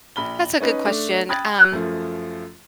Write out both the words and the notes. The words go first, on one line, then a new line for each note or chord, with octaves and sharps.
That's a good question, um
A#1 B5 G7
C#4 D#4 B4
A3 D4
G5 B5 D#6 F#6 G#6 A6
F#2 F3 A3